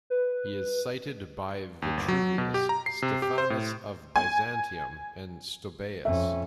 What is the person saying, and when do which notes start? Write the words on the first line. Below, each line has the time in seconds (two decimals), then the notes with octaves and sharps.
He is cited by Vitruvius, Stephanus of Byzantium and Stobaeus.
0.10 B4
1.82 D#2
1.97 G1
2.08 F#3
2.38 B2
2.54 G4
2.69 A#5
2.86 C7
3.02 C3
3.22 G4
3.38 C5
3.50 A2
4.16 G#5
6.05 F2 C#4 E5